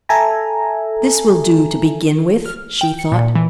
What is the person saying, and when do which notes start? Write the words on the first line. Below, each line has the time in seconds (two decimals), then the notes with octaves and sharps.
"This will do to begin with," she thought.
0.09 A4 E5 G#5 A#5
2.46 F6
2.81 G5
2.99 C#7
3.12 A#2
3.35 E3